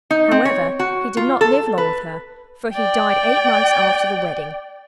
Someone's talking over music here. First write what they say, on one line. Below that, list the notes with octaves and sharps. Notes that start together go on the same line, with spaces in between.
However, he did not live long with her, for he died eight months after the wedding.
D#4
C4
C#5
F#4
F4
A4
B4
D5 G5